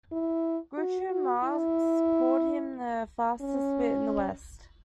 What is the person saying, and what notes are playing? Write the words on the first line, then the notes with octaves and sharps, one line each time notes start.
Groucho Marx called him The Fastest Wit in the West.
E4
F#4
F#4
E4
C#4